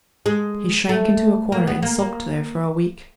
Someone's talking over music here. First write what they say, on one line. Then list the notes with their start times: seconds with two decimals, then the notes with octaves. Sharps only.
He shrank into a corner and sulked there for a week.
0.26 G#3
0.89 A3
1.52 A#3
1.67 B3
1.83 A#3
1.99 A#3